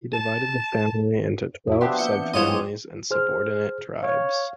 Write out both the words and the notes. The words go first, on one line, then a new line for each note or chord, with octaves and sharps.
He divided the family into twelve subfamilies and subordinate tribes.
A5
F2 F3 E4 F#4
F3 B3 D4 G4 E5 C6
A#3 F4 E5 G6 C#7
E3 C4
G2 E4 F4 C5 C#5 D#5
F#3 G4 G5 G#5 C6
G#4 C5 F6
C#5 F5